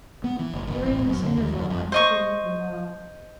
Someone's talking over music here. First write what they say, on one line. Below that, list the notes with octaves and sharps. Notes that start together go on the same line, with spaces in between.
During this interval I took a look below.
B3
E3
F#1
F#1
A1
E1
F#2
D3
D#2
F#2
F2
C5 D#5 C#6